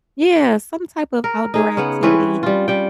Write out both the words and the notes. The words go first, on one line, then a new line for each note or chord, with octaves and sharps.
Yeah, some type of outdoor activity
A#4
D#4 G#4
C#3 B3 F#5
E3 C4 C#4 B4
G3 F4
G3 G5